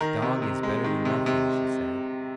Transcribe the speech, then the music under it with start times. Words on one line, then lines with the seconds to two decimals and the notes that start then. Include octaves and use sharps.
"A dog is better than nothing," she said.
0.01 D#3 A#4
0.22 C3
0.42 C3
0.63 G#3
0.84 D#3
1.05 C3
1.26 C3